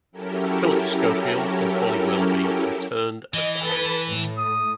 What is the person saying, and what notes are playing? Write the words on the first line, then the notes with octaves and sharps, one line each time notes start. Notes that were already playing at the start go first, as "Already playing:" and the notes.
Phillip Schofield and Holly Willoughby returned as the hosts.
F#3 C#4 E4 G4 A4 A#4
E3 D#5
A4 B4
A2
D#6